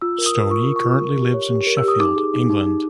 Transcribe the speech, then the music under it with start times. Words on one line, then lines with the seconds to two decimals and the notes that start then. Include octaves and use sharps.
Stoney currently lives in Sheffield, England.
0.02 F4 E6
0.18 A#4
0.26 D#6
0.35 A#4
0.51 F4 C#6
0.68 A#4
0.76 C#6
0.84 F4
1.01 A#4
1.17 G4
1.34 C#5
1.51 G4
1.67 A#4
1.77 E6
1.84 G4 D#6
2.00 D#4 D6
2.16 G#4
2.34 D#4
2.49 D#4
2.66 D#4